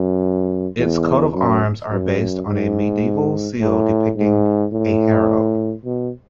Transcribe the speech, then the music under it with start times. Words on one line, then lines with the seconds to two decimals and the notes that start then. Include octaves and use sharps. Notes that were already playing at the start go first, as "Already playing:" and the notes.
Its coat of arms are based on a medieval seal depicting a harrow.
Already playing: F#2
0.78 E2
1.35 F#2
1.91 F#2
2.47 G#2
3.60 A2
4.16 G#2
4.73 A2
5.85 B2